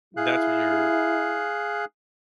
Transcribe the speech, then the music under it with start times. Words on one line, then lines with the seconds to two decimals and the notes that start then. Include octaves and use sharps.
that's what your
0.17 E4 G#4 F5 F#6